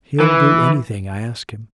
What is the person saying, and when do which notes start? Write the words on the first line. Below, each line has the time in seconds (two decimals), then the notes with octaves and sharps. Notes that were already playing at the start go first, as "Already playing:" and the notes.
He'll do anything I ask him.'
0.20 E3